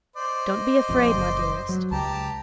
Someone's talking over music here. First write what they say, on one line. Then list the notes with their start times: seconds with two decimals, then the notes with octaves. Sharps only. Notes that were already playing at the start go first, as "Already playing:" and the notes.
Don't be afraid, my dearest.
0.16 C5 D5 D#5
0.89 A#1 F2
1.14 F#1
1.69 F#3
1.91 C#2 G4 A5 A#5